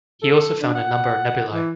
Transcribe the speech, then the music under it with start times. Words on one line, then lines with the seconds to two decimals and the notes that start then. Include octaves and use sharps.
He also found a number of nebulae.
0.22 A4
0.35 A4
0.61 D4
0.75 F#5
1.53 E3